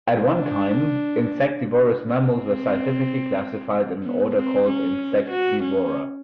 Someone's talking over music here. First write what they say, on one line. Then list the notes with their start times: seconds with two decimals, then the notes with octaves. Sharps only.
At one time, insectivorous mammals were scientifically classified in an order called Insectivora.
0.23 D4
2.14 C4
4.04 B3
4.36 C4
4.67 C#4
5.30 F#4
5.63 C#4